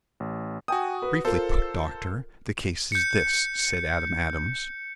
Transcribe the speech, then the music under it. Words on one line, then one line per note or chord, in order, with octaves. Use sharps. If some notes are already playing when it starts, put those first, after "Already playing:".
"Briefly put, doctor, the case is this," said Adam Adams.
A1
F#4 G5 G#5 D#6
B4
F4 A4 A#4 C5
G6 C#7